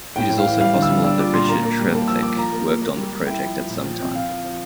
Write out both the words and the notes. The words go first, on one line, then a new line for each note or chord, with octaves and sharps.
It is also possible that Richard Trevithick worked on the project at some time.
A2 G5
A2
F5
E3
G3 F5
D3
E6
G3
D4 E6
F4 D6
A#2 C6
A#3 A#5
A#3
G3
A#3 A5
F3 E6
F4 D6
F3 A#5
A#3
A#3
A#3
G3
G3
E4 G5
F3
F3
A#2
F3
C4
F3 F5
F3
F3